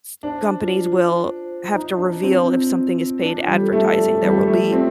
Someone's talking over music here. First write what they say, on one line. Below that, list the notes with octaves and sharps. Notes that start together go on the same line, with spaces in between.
s companies will have to reveal if something is paid advertising, there will be
D4 C5
F4
F4
C5
D#4 C5
D4
F4
C4
C4
C5
D4 F4
G3
A4
A3
D5
G3
F4
A3
C4 F4